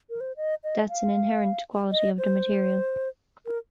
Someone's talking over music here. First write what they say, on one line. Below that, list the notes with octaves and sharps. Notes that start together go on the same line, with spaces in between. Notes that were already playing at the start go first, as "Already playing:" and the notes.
That's an inherent quality of the material.
A#4
C5
D#5
D#5
F5
D#5
C5
A#4